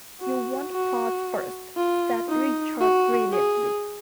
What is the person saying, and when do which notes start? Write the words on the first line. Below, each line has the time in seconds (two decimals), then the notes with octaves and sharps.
"You want plots first," said Richard brilliantly.
0.21 F#4
0.72 F#4
1.77 F4
2.28 D#4
2.80 F#4
3.32 G#4